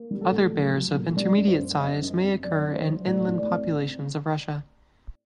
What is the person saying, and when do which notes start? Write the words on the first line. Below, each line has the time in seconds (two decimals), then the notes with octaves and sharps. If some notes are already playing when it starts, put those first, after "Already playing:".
Other bears of intermediate size may occur in inland populations of Russia.
Already playing: A#3
0.11 G3
0.21 A4
0.32 A2
0.53 F#3
0.75 F#3
0.95 A#2
1.17 G3 D5
1.37 F#2
1.48 C5
1.59 F#2
1.80 F#2 D#5
2.01 F#2
2.23 C4
2.44 F#3 D5
2.65 D3
2.75 C5
2.86 F#3
3.07 A2 D5
3.28 A2
3.39 D5
3.49 C4